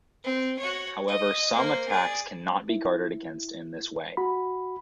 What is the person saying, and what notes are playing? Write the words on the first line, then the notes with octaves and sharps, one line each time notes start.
However, some attacks cannot be guarded against in this way.
C4
F#4 C#5
D#5
A#3 C5
G#4 D5
E4
F#4 B5